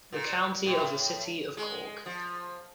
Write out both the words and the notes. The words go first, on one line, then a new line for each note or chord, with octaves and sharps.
The County of the City of Cork.
A#2
A2
G#3
F3